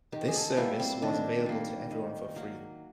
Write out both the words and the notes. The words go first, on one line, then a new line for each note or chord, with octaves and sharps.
This service was available to everyone for free.
D#3 G4
G#4
A4
G3 A#3 E4
C4
D#3 D4
G3 A#3
D#3
F#3 A#3